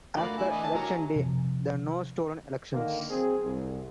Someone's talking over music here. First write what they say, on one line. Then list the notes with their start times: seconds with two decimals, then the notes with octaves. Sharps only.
After election day, the No Stolen Elections!
0.17 A3 A#3 D4 F4 F#4 D5 B5
0.38 E4 G#5
0.52 E3 D#5 B5 D6
0.63 A5
0.75 F#3 G3 E4 A#4 C#5 A#5
1.16 C3 F3
2.73 D3 D#3 A#3
3.10 F#3 C4 G#4
3.45 C2